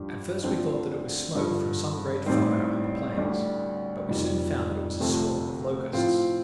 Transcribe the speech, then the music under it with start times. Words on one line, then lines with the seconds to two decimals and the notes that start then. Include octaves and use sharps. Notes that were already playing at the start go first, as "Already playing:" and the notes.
At first we thought that it was smoke from some great fire on the plains; but we soon found that it was a swarm of locusts.
Already playing: G2 F3 D4 G4
0.43 D2 D3 F3 A3 C4
1.35 G2 D3 F3
2.26 A1 A2 G3 C4 D#4
3.18 D2 D3 G3
4.09 F1 F2 D#3 G3
5.00 D2 C3 F3 A3 C4
5.92 A2 F3 C4 F4